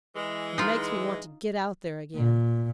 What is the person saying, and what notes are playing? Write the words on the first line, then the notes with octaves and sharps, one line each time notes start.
It makes me want to get out there again.
E3 G#3
D#4 F4
A#2